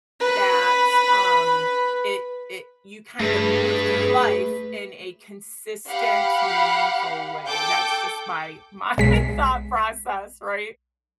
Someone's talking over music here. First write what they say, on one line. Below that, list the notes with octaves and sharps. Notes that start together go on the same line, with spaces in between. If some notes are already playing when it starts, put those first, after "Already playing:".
that, um, it it you kinda move through life in a consistent, meaningful way. That's just my my thought process, right?
B4 B5
G2 A3 G#4 B4
G4 F5 F#5 B5
A4 G5 D6 G6
B1 G#3 B6